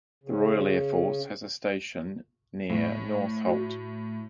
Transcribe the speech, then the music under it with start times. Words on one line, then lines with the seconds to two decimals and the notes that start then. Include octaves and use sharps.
The Royal Air Force has a station near Northolt.
0.24 C#3
2.70 A2
3.47 F#4